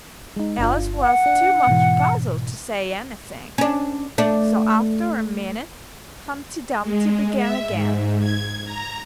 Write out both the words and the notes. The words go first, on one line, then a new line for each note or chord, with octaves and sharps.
Alice was too much puzzled to say anything, so after a minute Humpty Dumpty began again.
G#3 D#4
G1 D4 F4
F#5
D4
G#2 B2 E3
C#4 D4
A3 D4
G#3
E5
G#2
G#6
A#5